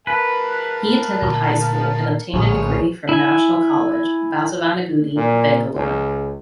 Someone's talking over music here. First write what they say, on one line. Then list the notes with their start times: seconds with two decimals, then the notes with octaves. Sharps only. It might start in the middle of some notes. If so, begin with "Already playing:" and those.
He attended high school and obtained a degree from National College, Basavanagudi, Bangalore.
0.07 A#4 B4 F5 A5
1.22 A#2 D3 A3
2.33 A#1 A2 D3 F4 G#4 C#5
3.09 E4 G#5
5.16 A#2
5.75 C#2